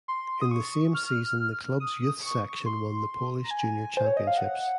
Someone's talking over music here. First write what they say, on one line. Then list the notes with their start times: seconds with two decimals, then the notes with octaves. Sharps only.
In the same season the clubs youth section won the Polish Junior Championships.
0.08 C6
0.41 D#6
0.51 C#6
0.94 F6
1.80 D#6
2.22 C#6
2.66 C6
3.44 A#5
3.51 G#5
3.97 C5
4.06 C#5
4.17 D#5
4.27 F5
4.38 F#5